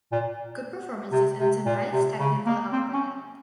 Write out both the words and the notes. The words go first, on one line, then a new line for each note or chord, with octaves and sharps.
Good performances and some nice technical output help.
A#2
C3
C3
A#2
C3
C#3
A#3
C4
C#4